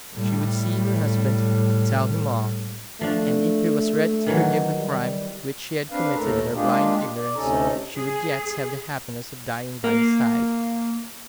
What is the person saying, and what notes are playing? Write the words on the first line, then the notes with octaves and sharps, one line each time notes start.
She would see her husband, tell him all, and, if he was ready to forgive the crime, which she had committed in her blind ignorance, she would yet have the happiness of dying by his side.
A2 G3
F3 A3 D4
D#3 E3 F#3
G3
C4 D4 B4 F5
D#2 A2 A3 A4 A#4 A#5
G#3 A#3 D4 F4 G4 G#4
D5
D2 C3 C#4 D#4 A4 A#5
G#4
A#3